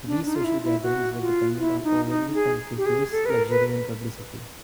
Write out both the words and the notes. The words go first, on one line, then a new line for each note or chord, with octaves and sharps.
These social gatherings were dependent on overly conspicuous luxury and publicity.
D4
D#4
F4
E4
E4
F#4
F4
E4
D#4
D#4
G#4
G4
G#4
A4
B4
A#4
B4